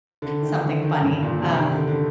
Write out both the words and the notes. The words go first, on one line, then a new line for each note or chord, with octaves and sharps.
something funny, um,
D3
D#3
D3
D#3
G2
A#2
C3
D#3
D3
D3